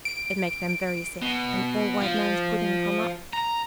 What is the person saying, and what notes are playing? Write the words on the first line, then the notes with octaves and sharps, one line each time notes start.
It make them very sick and all white man's pudding come up.
D7
B2
F3
A#5